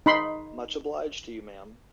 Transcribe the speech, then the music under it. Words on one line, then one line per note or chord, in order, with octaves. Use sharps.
Much obliged to you, ma'am!
D#4 B5 C6